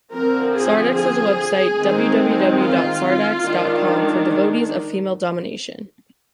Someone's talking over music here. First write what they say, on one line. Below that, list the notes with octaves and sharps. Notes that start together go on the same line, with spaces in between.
Sardax has a website, www dot sardax dot com, for devotees of female domination.
D3 F3 C4 A#4
G#4
G#4
D#3 G#3 C4
F4
D#3 G#3 D4